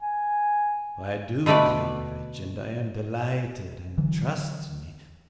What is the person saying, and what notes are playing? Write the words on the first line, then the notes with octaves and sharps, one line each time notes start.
"I do, Klinevitch, and I am delighted, and trust me...."
G#5
B2 D3 A3 B4 D5
D3 E3 F#3